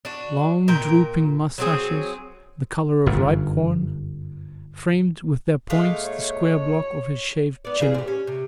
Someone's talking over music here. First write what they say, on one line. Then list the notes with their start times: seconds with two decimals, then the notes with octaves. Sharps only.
Long, drooping moustaches, the colour of ripe corn, framed with their points the square block of his shaved chin.
0.05 D4 F#4
0.68 A#2 A#4 G5
1.58 F#3 C4 G#4
3.06 G1 F#2
5.70 A#2 G#3 A3 F5
6.04 C#5
7.65 B3 D5
7.80 C#3 E3 G#4
7.94 C4 G4
8.08 C#4
8.27 C3